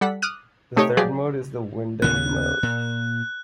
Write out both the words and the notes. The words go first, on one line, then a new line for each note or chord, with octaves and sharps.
The third mode is the windowed mode.
G3 A4 F#5 B6
D6 D#6 F6 F#6 D#7
C3 A3 D#4 G4 C#5
F3 F#3 G4 G#4 D5 C7
D#2 C#3 B3 F#6
A#2